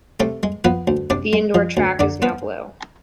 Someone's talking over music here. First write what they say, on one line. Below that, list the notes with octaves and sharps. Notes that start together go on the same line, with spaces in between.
The indoor track is now blue.
C3 A3 A4
G#3
F3 B3 B4
D2
C3 D4 D5
G#3
F3
D2
D3 D4 D5
B3 B4